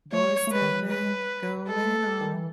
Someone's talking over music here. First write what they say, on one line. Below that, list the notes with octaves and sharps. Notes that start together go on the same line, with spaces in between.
Boyz II Men going on
A3 C#5
A3
G#3 B4
D#3
E3
F#3
G#3 B4
G#3 A4
D#3
E3